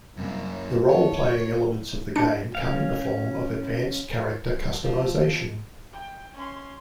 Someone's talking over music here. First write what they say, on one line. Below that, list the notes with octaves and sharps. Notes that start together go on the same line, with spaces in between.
The role-playing elements of the game come in the form of advanced character customization.
F#2 C3 G3 A#3 C4
C#5
G#4 C#5 F#5 A5
F#4
D4 C#7
C#4 F5
F3
G5
C#4 C6